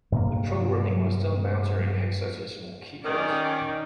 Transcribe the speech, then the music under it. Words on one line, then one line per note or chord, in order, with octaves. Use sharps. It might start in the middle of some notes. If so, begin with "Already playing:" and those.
The programming was done by entering hexadecimal key codes.
G2 C3 A#3
D#3 C#4 D5